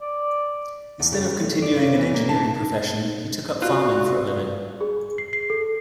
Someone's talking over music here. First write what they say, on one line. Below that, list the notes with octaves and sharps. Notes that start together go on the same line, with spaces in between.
Instead of continuing an engineering profession, he took up farming for a living.
D5
E2
C#3
G3
A3
D5
C#3
E3
A#3
A5
D#4
C3 F4 F#4 D5 F#6
G#4
C7
C7
A4